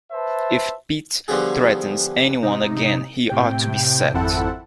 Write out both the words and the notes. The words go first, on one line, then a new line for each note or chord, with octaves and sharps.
If Pete threatens anyone again he ought to be sacked.
B4 C5 E5 A5
D3 F3 G3 B3 F#4 G#4
C3 D#4
A2 C3 G5
G#1 F2 C4 E4 A4 F#5